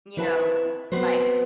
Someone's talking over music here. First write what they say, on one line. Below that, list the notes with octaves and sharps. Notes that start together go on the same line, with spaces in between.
you know, like,
C4 E4 B4 E5 A5
B3 C4 F#4 B4 C5